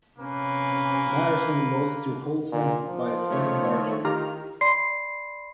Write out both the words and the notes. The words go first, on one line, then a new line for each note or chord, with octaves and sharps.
Myerson lost to Holtzman by a slim margin.
C3 A#3 C#4 B4
A#2
F3
D#3 A3 C#5
D#3 F4 G4 A#5 F6
D5 B5 C6 C7